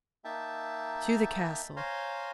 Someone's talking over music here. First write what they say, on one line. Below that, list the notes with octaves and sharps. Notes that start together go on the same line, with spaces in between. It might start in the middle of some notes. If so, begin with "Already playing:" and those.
To the castle!
A#3 D#4 E5 G5 A5
C5 C#5 F5 G#5 A#5 C6